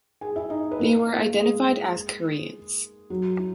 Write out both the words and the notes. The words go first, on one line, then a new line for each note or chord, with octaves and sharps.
They were identified as Koreans.
G#4 G#5
E4 E5
D#4 D#5
B4
A#3 A#4
G#3 G#4
F#3 F#4
E4